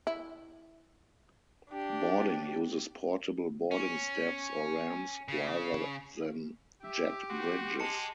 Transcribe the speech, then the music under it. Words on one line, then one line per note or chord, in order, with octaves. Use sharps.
Boarding uses portable boarding steps or ramps rather than jet bridges.
E4
D4 G4
C#4
C#3
G4 E5
F#4 C6
G#3 A5 C#7